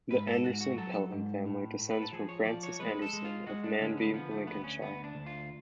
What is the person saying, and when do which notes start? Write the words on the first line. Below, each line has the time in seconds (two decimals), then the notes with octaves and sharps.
The Anderson-Pelham family descends from Francis Anderson of Manby, Lincolnshire.
0.10 G#2 B4
0.27 A4
0.43 G#2 F#4
0.61 F#4
0.77 F#3 A4
1.12 G#2
1.45 A2
1.79 A2
1.91 B4
2.02 A4
2.12 F3 G#4
2.29 C#5
2.45 F3 D5
2.63 C#5
2.79 G#3 B4
3.02 A4
3.13 G#3
3.25 F4
3.47 G#3 F#4
3.64 D4
3.81 D3 C#4
3.97 B3
4.14 F3 B3
4.31 A3
4.47 D2 B3
4.64 C#4
4.81 D2 B3
5.04 D4
5.15 D2
5.26 F4